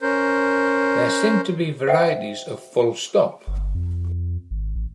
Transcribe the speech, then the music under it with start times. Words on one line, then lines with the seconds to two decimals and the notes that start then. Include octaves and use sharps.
There seem to be varieties of full stop.
0.01 C#4 A#4 C5
1.87 C5 D#5 E5 F#5 G5
3.47 G1
3.75 F2
4.51 G#1
4.75 A1